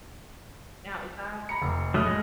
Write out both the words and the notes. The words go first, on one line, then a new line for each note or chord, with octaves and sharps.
Now, is that
A#5 B5 C#7
F1
A2 F#3 A3 D#6 F6
G#3